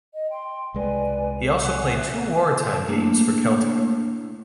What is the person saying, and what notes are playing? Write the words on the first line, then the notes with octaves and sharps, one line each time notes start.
He also played two wartime games for Celtic.
D#5
G5 C6
C2 G#3 B4 D5 G#5
F#5 G#5 F#6
E5 F#6
A3 A#3 D4 E4